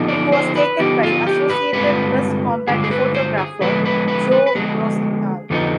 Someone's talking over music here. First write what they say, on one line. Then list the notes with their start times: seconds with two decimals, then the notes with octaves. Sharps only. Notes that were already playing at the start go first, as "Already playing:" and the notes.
It was taken by Associated Press combat photographer Joe Rosenthal.
Already playing: D3 F3 B3 D#4
0.08 D5
0.32 C5
0.55 B4
0.79 D3 F3 B3 D#4 G4
1.03 F4
1.27 G4
1.50 B4
1.73 G2 D3 G#3 C4 F4 B4
2.67 G2 D3 G#3 C4 F4 G#4
2.84 G#4
2.91 B4
3.15 C5
3.38 G#4
3.61 D3 F3 G#3 B3 B4
3.85 B4
4.08 B4
4.32 B4
4.47 B4
4.55 D3 F3 G#3 B3 G#4
5.50 F2 D3 F3 B3 D#4